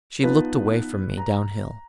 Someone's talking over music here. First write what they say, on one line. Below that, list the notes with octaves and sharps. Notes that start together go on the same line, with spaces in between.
She looked away from me downhill.
F3 B3 D#4 B4
A#5